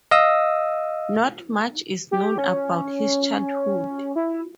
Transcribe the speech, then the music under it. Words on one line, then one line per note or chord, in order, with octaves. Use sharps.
Not much is known about his childhood.
D#5 F5 D#6 E6
G4
C#4
E4